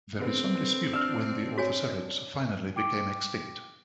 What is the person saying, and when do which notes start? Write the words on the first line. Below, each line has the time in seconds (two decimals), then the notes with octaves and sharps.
There is some dispute when the orthocerids finally became extinct.
0.19 D3 G#3 B3 C4
0.93 D4 E6 F6
1.58 F#4 C#5 G#5
2.76 G5 D6 D7